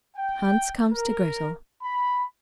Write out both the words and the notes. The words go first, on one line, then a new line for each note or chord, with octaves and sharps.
Hans comes to Grettel.
G5
A#4
B5